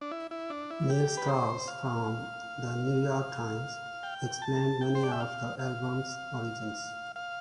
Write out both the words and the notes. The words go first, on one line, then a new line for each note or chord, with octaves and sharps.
Neil Strauss from "The New York Times" explained many of the album's origins.
D4
E4
E4
D4
E4
G4
B4
C5
F5
G5
A5
G5
C5
D5
E5
F5
F5
F5